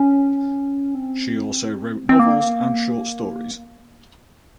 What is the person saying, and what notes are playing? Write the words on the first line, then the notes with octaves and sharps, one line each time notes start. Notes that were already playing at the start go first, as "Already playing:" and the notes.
She also wrote novels and short stories.
Already playing: C#4
C4
C4
A#3